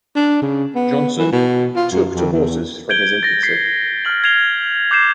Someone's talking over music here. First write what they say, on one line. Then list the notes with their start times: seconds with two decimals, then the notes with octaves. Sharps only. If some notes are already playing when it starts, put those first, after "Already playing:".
Johnson "took to horses from his infancy".
0.15 D4
0.42 C#3
0.75 B3
1.18 E3
1.32 B2
1.76 F4
1.92 F#2
2.14 F2
2.33 E2
2.89 G6 G#6 D7 G7
3.23 A6 A#6
3.43 G6 B6 C7
4.05 F6 G6 F#7
4.24 G#6 C7 F7 G7
4.91 D6 G6 C7 E7 F7